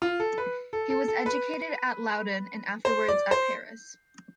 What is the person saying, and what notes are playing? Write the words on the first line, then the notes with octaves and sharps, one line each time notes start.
He was educated at Loudun and afterwards at Paris.
F4
A4
B4
A4
A4
A4
B4
C5
D5
C5